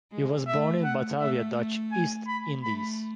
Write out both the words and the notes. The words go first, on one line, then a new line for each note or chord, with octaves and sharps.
He was born in Batavia, Dutch East Indies.
G#3
A3 E5
F#5
A3 E5
G#5
B5
A3 B5